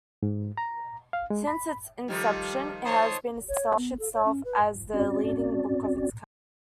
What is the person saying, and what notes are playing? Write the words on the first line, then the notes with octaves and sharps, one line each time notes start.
Since its inception, it has established itself as the leading book of its kind.
G#2
A#5
F5
G#3
B5
D#3 F3 G3 A3
C5 C#5 A5 C6 D#6
C#5
B3
A4
C#5
C#4
B4
C4 C#4 F#4 D5